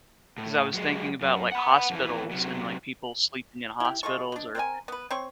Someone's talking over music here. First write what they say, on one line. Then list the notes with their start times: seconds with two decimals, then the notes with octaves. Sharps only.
'Cause I was thinking about, like, hospitals and, like, people sleeping in hospitals or
0.38 A2
0.74 F#3 G#3
1.21 F#2
1.52 F#5 B5
1.90 F2 E3
2.31 C3 F#3
3.80 E4 G4
4.03 G#3 F4 A4 C#6
4.32 B2 D4
4.55 C4 A#4 D5 G#5
4.88 B3 B4
5.11 C4 C#5 C#6